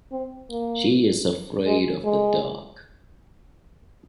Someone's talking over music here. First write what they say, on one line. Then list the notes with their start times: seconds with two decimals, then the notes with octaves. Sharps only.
She is afraid of the dark.
0.12 C4
0.50 A#3
1.66 G#3
2.05 G#3